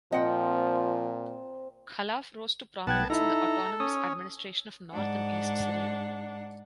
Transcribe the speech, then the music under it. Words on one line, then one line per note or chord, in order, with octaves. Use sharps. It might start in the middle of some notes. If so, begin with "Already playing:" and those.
Khalaf rose to prominence in the Autonomous Administration of North and East Syria.
A#2 F3 C4 D#5 F#5 G5
B1 B3 F#5 G5 A5 G#6
D#4 E4 A4 E5 A#5
C#4 D#6
G#2 D4 F#5